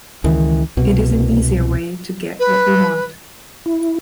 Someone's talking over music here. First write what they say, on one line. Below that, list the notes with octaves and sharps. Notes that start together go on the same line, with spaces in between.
It is an easier way to get what we want.
C#2 D#3 E3
C2 B2
B4
E4